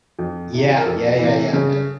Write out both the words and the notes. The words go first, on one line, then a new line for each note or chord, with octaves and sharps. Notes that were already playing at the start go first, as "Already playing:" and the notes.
Yeah. Yeah, yeah, yeah, man.
F2
C3 E3
A#4
F2 A4
C3 E3
C#3